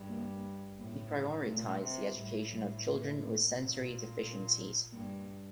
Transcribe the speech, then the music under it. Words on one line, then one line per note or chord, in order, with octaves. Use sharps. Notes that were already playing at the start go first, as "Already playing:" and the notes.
He prioritized the education of children with sensory deficiencies.
Already playing: G2
A#3
A2 A#3
A#2 A3
C3
A2 G3
G3
A#3
A#2
G2 A#3